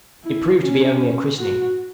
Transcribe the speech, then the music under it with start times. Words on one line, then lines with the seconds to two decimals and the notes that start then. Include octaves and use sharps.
It proved to be only a christening.
0.24 E4
0.63 C#4
1.38 F#4